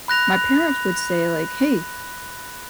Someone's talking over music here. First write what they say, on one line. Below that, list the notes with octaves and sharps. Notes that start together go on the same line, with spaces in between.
my parents would say like, "Hey,
B5 F#6 A#6 F7